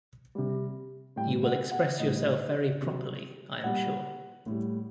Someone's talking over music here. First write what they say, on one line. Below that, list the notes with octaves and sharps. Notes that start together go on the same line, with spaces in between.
You will express yourself very properly, I am sure.
C3 G3
A2 G3 G5
F#5
F#5
A2 G3 D#5
C3 F#3
A#2 G3 F#5
A2 G3